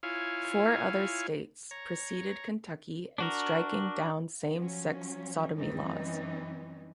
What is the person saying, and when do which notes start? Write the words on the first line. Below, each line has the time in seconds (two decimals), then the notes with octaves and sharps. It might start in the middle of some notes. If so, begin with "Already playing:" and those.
Four other states preceded Kentucky in striking down same-sex sodomy laws.
0.03 E4 F4 C#5 F5 G#5
1.71 C#5 A#5
3.18 D4 F#4 A#4
4.56 F3 F#3 C#4
5.55 F#2 E3 G3 C4 C#4 D#4